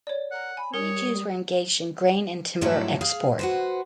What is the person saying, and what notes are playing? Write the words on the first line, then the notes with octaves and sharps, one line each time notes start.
Many Jews were engaged in grain and timber export.
C#5 D5
A#4 F#5
G#5 B5
G3 A#4 C#5 D#6
G#2 F3 F#3 A3 D4 E4
G#4 F5
F#4 B4 C5